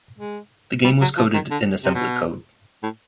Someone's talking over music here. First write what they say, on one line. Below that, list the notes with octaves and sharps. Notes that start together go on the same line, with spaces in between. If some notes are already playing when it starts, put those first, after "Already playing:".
The game was coded in assembly code.
G#3
G3
F#3
F3
D#3
D3
C3
B2
A2